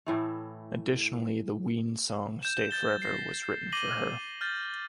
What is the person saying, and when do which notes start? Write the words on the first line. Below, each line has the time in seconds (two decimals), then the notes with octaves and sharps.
Additionally, the Ween song "Stay Forever" was written for her.
0.06 A2 E3 A3
2.43 G6 E7
2.71 G6 A6 G7
3.02 A#6 C7
3.72 D6 A#6 D#7 F#7 G7
4.41 F6 G6 A6